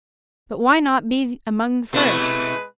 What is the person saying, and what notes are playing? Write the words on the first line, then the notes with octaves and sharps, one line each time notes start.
But why not be among the first?
B2 G#3 A3 E4 B4